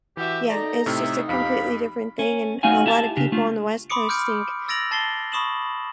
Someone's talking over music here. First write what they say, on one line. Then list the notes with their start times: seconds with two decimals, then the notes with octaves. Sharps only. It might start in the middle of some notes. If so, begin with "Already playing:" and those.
yeah, it's just a completely different thing, and a lot of people on the West Coast think
0.17 E3 F#4 G4 E5
0.50 D#4 A4 D5 A#5
0.86 A2 C3 D#4 E5 F6
1.29 F2 G4 F5 B5
2.19 C#4
2.63 A3 C#4 D#4 F#4 F5 G#5
2.86 E4 G4 E5 A5
3.17 C#3 D4 G4
3.32 A3 D4 F4
3.89 B5 C6 D6 D#6 C#7 D7
4.09 F6 G6 D7
4.68 E6 A6 A#6 D7 F7 F#7
4.91 A5 A6 C7 G7
5.32 B5 C#6 D#6 E7 F#7